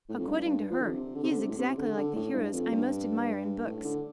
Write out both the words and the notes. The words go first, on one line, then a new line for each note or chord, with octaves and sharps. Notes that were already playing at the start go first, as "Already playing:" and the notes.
According to her, he is exactly like the heroes I most admire in books.
A2
F2
G2
G2
F3
D3
C3
D3
C3
D3
C3
A2
C3
D3
D3
A2
G2
F2
G2
A2
D3